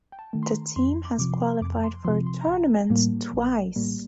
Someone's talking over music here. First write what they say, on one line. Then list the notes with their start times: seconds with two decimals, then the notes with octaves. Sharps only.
The team has qualified for a tournament twice.
0.12 G5
0.19 A5
0.33 D#3 A3
0.43 C6
0.47 A#5
0.76 F2 C6
1.05 D6
1.19 C3 F3 D6
1.33 C6
1.61 F2 D6
1.84 C6
2.05 C3 F3 C6
2.27 C6
2.41 A#5
2.47 A#1 A5
2.90 A2 G3 A#3
3.33 A#1
3.76 A2 G3 A#3